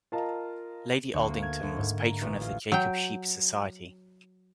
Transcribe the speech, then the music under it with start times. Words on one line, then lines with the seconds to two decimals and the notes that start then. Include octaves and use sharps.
Lady Aldington was Patron of the Jacob Sheep Society.
0.12 F4 A#4 D#5 F5 A5 A#5
1.14 D2
1.27 A#3
1.43 G#6
1.63 D2
1.77 G#2
2.02 A#5
2.22 A1
2.41 F4
2.72 F#3 G5